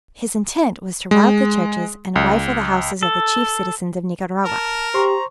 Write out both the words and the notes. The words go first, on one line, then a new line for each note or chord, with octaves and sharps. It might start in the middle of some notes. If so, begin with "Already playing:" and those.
His intent was to rob the churches, and rifle the houses of the chief citizens of Nicaragua.
G#3
C#2
A4
A#4 A5
G4 C5 A#5 C6 C#6